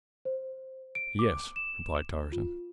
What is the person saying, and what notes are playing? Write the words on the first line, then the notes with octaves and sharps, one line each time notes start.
"Yes," replied Tarzan.
C5
D7
D6
E7
F4